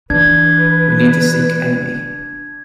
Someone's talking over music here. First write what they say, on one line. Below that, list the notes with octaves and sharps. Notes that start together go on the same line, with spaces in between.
We need to seek Amy.
E3 D4 B4 G#6